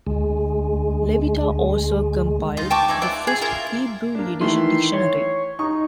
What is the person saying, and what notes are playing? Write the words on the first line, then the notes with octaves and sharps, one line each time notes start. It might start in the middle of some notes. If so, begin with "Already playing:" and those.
Levita also compiled the first Hebrew-Yiddish dictionary.
D2 G#3
D#4 F4
G5 A5 C#6 D6
D#4 D5 E5 G#5
F4 D5 E5 F#5
G#4
F4 A#4 E5 F5
A#3 D4
D#3 E3 A3 C6
C#5
D#4 C#6